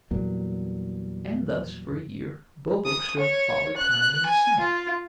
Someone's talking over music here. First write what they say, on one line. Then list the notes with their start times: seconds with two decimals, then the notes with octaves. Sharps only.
And thus for a year Bobo served Father Time and his sons.
0.11 E2 G2 A#2 F#3
2.86 D#6
3.19 C#5
3.77 F#6
4.26 G#5
4.60 F4